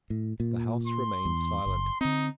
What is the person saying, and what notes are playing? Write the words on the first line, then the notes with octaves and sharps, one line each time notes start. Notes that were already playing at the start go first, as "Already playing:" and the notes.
The house remained silent.
A2
A#2
C6
E2
F#1
D3 C4 D#4